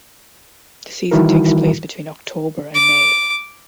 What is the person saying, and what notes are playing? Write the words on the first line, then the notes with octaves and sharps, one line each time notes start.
The season takes place between October and May.
D#3 E3 G3 E4 F#4 A#4
D6